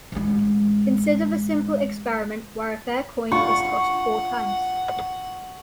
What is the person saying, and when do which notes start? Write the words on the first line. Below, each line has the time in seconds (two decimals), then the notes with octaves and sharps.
Consider the simple experiment where a fair coin is tossed four times.
0.12 A1 G#3
3.32 D4 F4 F#5 C#6